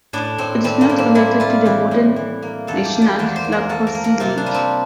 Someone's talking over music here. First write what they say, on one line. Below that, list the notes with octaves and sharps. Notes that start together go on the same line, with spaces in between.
It is not related to the modern National Lacrosse League.
A2 D4
A2 C4
G3 C4
A#3
A2
C4
G3 E4
G3 F4
E3 G4
A2
E3
A#3
E2 A4
G4
A#3
D5
E2 D5
C5
A#3
A#4
A#3 A4
A#4
A#3
A#4
C3 F4
D4
G3
C4